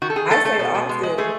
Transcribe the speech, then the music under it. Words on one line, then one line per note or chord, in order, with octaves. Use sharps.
I say often
D#3 F#4
A4
D#3 G#4
A3 A4
A3 A4
B2
B2
G#3
G#3
A3 G#4